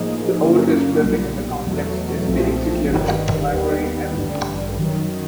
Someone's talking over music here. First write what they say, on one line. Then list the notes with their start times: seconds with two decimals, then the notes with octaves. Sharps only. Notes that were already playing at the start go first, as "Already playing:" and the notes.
The oldest building in the complex is the Executive, Library and Museum Building.
Already playing: A2 F3 A#3 D#4 G#4
0.41 G2 D3 F#3 A#3 C#4
1.03 B1 A#2 G3
1.66 E2 B2 F#3 A3
2.27 B1 A#2 F3 A3 C4
2.90 G1 G2 D#3
3.52 D#2 D#3 G3 B3
4.15 A1 G2 D3 G3
4.77 F#2 D#3 F#3